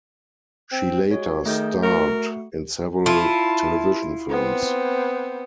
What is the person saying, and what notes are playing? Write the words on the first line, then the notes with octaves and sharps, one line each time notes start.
She later starred in several television films.
C4
G#3 F#4 C#5
D#3 A3 G#4 G6
A3 F#4 A#4 C#7
E4 F4 A5
B3 C4